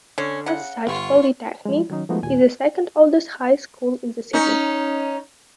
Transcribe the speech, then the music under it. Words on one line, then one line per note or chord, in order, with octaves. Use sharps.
As such, Polytechnic is the second oldest high school in the city.
D3 C#4
C#3 F#5
G1 F4 C#6
F3 G#3
D#3 F#3 C#4 D#4
F3 G#3 A3 B3 D#4 F#4
D#2 A#2 G#5
C#4 D#4